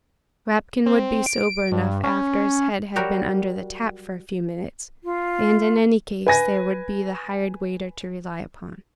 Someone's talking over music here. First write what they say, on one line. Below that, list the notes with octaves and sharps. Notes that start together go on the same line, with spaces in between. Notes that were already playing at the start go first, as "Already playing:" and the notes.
Rapkin would be sober enough after his head had been under the tap for a few minutes, and in any case there would be the hired waiter to rely upon.
C4
D7
G2
C#4
F#3 G3 F#4 G4 A#4
F4
B4 G#5 A#6